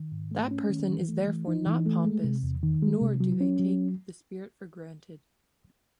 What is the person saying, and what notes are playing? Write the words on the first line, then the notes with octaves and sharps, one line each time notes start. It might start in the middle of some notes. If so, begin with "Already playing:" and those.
That person is therefore not pompous, nor do they take The Spirit for granted.
Already playing: D#3
G#2
A3
C#4
D#3
E3
A3
E3
D#4
E3
A3
G#3
C3
E2
D#3
G#3
C3
F#3
C#4
F#3